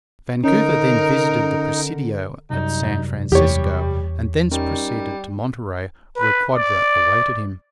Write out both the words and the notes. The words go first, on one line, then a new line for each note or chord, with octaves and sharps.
Vancouver then visited the presidio at San Francisco, and thence proceeded to Monterey, where Quadra awaited him.
D3 C#4 D#4 A#4
C2 F#2 D#4 D5
E2 G3 G4 C#5
G3 C#4 D#4 A#4
B4
D5